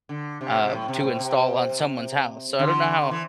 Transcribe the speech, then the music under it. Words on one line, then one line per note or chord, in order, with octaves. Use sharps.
um, to install on someone's house, so, I don't know how,
D3
C3
C3
A2
C3
A2
C3
D3
E3